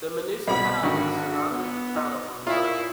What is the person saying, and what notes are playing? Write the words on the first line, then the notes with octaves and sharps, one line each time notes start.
The municipality surrounded the town of Rovaniemi.
C2 B2 B5
G#1 D3 D#3 D4 F#4
B3
D#4
A#2 E4 F4